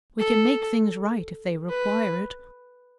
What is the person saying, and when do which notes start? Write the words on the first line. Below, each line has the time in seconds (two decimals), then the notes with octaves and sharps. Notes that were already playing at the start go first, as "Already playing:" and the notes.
We can make things right if they require it.
0.20 A4
1.70 B4